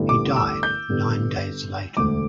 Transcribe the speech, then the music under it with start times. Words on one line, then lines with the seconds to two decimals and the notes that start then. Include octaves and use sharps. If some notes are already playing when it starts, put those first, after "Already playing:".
He died nine days later.
Already playing: A1 G2 D3 G3 B3
0.09 D6
0.36 E6
0.63 G6
0.90 G2 D3 B3
1.97 E1 D2 D3 A3 D6